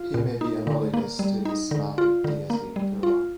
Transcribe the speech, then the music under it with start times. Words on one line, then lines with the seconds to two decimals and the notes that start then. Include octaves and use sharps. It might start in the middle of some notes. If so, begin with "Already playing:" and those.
He may be analogous to the Slavic deity Perun.
Already playing: F4
0.14 A#2
0.41 D#4
0.67 D3
0.94 A#3
1.19 G3
1.45 D#4
1.71 D3
1.98 F4
2.24 D3
2.50 A#3
2.76 G3
3.03 F4